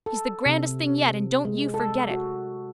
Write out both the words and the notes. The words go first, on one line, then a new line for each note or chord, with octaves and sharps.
He's the grandest thing yet and don't you forget it.
A4
C3
G#3
A4
F#4